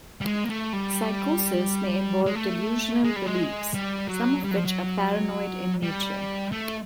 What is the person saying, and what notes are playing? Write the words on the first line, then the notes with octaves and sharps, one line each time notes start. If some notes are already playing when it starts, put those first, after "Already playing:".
Psychosis may involve delusional beliefs, some of which are paranoid in nature.
G3
G#3
A#3
A3
G3
G#3
A3
G#3
G3
G#3
G3
F#3
G3
F#3
F3
F#3
G3
A3